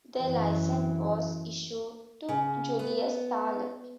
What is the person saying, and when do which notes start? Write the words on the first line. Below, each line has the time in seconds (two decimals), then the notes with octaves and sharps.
The license was issued to Julius Thaller.
0.20 F#2 E3
2.29 C#3
2.79 B3